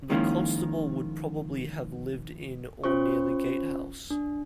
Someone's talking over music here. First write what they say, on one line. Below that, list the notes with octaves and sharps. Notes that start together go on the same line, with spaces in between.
The constable would probably have lived in or near the gatehouse.
D#3 F3 G#3 A#3 C#4 E4
C#4 F4 C5 C#6
D4